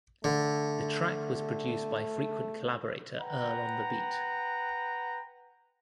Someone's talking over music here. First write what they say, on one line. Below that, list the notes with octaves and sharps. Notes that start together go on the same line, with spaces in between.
The track was produced by frequent collaborator Earl on the Beat.
D3 A3
B4 F#5 G5 A#5